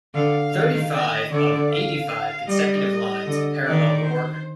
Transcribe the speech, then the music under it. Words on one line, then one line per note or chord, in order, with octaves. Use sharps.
Thirty-five of eighty-five consecutive lines parallel the work.
D3 F5
D#3
D#5
D3 D5
F5
G3 D#5
D3
D#3 D5
C5